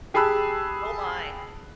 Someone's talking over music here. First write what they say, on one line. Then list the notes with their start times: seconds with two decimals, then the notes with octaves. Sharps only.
Oh my.
0.14 G4 G#4 A5 B5 E6 F#6